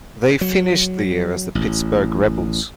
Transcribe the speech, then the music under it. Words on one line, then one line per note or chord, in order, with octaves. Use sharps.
They finished the year as the Pittsburgh Rebels.
F#3
A1